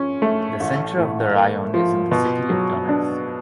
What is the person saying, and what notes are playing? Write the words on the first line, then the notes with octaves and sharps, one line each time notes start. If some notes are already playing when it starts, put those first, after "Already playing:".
The center of the raion is in the city of Donetsk.
Already playing: F3 C#4
A3
A1
A2
A#3
F3
B2
F#3
D4